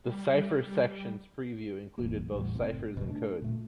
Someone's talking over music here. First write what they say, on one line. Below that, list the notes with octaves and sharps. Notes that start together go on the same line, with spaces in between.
The "Cipher" Section's purview included both ciphers and codes.
G3
E1 A1 A#3
A1 E2 A2 G3
F#1 A2 C3
E1 B2
A3 D4
A#2 A3